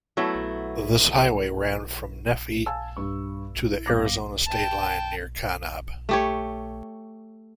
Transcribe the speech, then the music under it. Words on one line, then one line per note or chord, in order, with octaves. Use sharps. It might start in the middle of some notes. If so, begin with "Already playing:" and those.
This highway ran from Nephi to the Arizona state line near Kanab.
F#3 A3 B3 E4
F5 G#5 A5 E6
G2 C#6
E4
G1 F5 D6 A#6
G5 A5
A3 G4 C#5